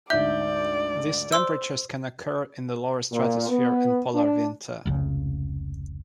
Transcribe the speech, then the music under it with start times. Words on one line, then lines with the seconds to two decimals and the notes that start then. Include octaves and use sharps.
These temperatures can occur in the lower stratosphere in polar winter.
0.10 D2 G#2 D5 E5 G6
1.32 C5 C6 E6
3.11 A#2
3.49 B3
4.15 D4
4.86 F1 C#2 C#3